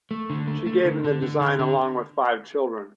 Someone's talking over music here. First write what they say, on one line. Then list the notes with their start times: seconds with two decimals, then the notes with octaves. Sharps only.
She gave him the design, along with five children.
0.11 A3
0.30 D3
0.48 A3
0.67 A3
0.85 D3
1.04 D3
1.22 D3
1.41 D3
1.59 D3